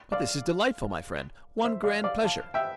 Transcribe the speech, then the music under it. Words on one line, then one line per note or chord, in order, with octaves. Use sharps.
But this is delightful, my friend--one grand pleasure!
D5 F5
C5 E5
D5 F5
D5 F5
F5 A5
E5 G5